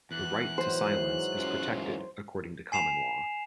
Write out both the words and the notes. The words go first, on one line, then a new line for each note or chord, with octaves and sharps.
The right to silence is protected according to common law.
E2 F#6
G#2 E3 F#3 C5
F#2 F4
G#5 C7 E7 F7